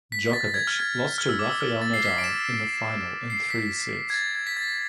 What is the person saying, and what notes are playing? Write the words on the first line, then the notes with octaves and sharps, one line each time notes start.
Djokovic lost to Rafael Nadal in the final in three sets.
B6
A6
G#6
F6
G#6
F6
E6
D6
E6
F6
A6
C7
B6
D7
E7
C7
B6
G#6
A6
G#6
B6
A6